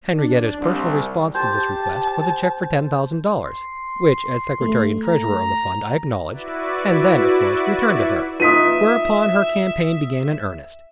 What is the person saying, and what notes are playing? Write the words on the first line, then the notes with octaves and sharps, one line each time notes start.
Henriette's personal response to this request was a check for ten thousand dollars, which as secretary and treasurer of the fund I acknowledged, and then, of course, returned to her, whereupon her campaign began in earnest.
D4
C2
G4 C5 A5
C6
A3
A#5
E4 F#4 B4 D5 E5
D#4 F4 B4 E5 D#6 B6 D#7